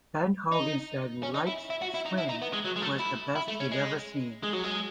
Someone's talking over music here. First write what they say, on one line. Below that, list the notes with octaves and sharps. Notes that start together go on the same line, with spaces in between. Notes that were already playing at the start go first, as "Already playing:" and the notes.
Ben Hogan said Wright's swing was the best he had ever seen.
D#4
C#4
D#4
E4
E4
F#4
E4
D#4
E4
D#4
B3
G#3
F#3
G#3
A3
E4
E4
A3
C#4
G#3
G#3
F#3
G#3